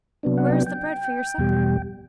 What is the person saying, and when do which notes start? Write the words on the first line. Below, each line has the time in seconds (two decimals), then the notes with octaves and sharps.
"Where is the bread for your supper?"
0.23 C3 F#3 B3 D4
0.37 F#5
0.52 G5
0.66 G5
1.38 E2 B2 G3